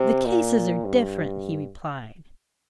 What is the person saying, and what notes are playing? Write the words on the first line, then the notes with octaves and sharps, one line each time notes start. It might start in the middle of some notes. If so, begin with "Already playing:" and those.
'The cases are different,' he replied.
Already playing: C3
A#2
G2